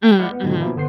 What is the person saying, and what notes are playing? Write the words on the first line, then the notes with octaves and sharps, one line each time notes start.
Mm, mhm.
G5
G#3 E4 D5 F#5 F6 G6
B3
G#2 B2 D3 D#3 F3
B2 E3 F3 A#3 D#4 E4
G1 D3 B3 C5 C7